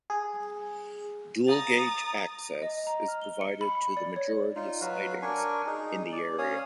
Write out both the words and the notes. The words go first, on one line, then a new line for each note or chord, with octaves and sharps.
Dual gauge access is provided to the majority of sidings in the area.
G#4
A#5 D#6 A6
D#5
A#5
F6
G7
C#7
B5
D5
C#5
D#4 F4
F#3 F#4 B4 F5
D4 A#4 G#5 C#6
D#4 G#4
D5
C#4 C#5 F5 D#6